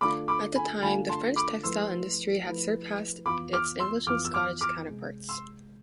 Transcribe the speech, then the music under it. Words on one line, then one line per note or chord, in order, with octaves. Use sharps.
At the time, the French textile industry had surpassed its English and Scottish counterparts.
D3 A3 D4 F4 A4 B5 D6
B5 D6
G#5 B5
D3 A3 D4 F4 A4 G#5 B5
A5 C6
B5 D6
F3 A3 E4 B4 C6 E6
F3 A3 E4 B4
F2 E3 B3 F4 B5 D6
D6 F6
C6 E6
F2 E3 B3 F4 D6 F6
E6
D6 F6
D6 F6
C2 C3 G#3
C6 E6